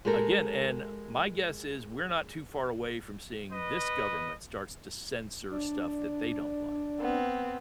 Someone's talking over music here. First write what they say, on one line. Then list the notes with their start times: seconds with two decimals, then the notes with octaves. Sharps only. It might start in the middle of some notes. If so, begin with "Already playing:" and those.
again and my guess is we're not too far away from seeing this government starts to censor stuff that they don't like.
0.05 G#3 G4 A4 A#4
3.51 B4 D#5
5.51 D4
7.01 B3 C4